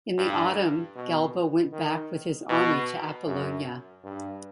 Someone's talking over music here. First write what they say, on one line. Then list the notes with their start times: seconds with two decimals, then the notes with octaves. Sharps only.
In the autumn Galba went back with his army to Apollonia.
0.18 G2
0.95 B2
1.73 D#3
2.49 B2
3.26 F#2
4.03 G2